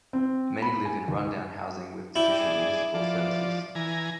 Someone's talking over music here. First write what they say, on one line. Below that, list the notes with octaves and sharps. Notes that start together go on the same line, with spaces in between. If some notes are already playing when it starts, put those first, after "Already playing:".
Many live in rundown housing with deficient municipal services.
C4
B5
G#5
D#2
E4 D5 G5
G#4 D5
F3 D5
E3 G#5 A#5